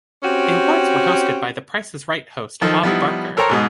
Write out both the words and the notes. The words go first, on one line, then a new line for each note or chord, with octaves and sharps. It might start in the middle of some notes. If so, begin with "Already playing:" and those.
The awards were hosted by "The Price Is Right" host Bob Barker.
C4 C#4 F#4 G4
D#3 F3 A4 D#5
F3 G3 B3 D#4 E4
A4 A#4 C5 C#5 G5 A#5
G#2 B2 G#3